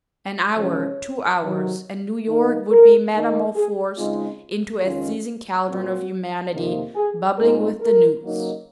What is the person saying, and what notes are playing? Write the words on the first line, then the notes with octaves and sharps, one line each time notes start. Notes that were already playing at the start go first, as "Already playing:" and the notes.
An hour, two hours, and New York would be metamorphosed into a seething caldron of humanity bubbling with the news.
C3 F3 G#3 C#4 C#5
C3 D#3 F#3
D#3 A#3 D#4 A#4
A#4
D#3 A#3 D#4
G#4
C#3 G#3 C4 D#4 F4
F2 D#3 G#3 C#4 F4
A#2 F#3 C4 F#4
F2 C3 D#3 A#3
G#4
A#2 G#3 C4 D#4 A#4
A#4
C#3 F#3 A#3 D#4